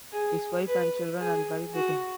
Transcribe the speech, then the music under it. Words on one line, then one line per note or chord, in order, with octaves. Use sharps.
His wife and children are buried with him.
G#4
B4
G#4
F#4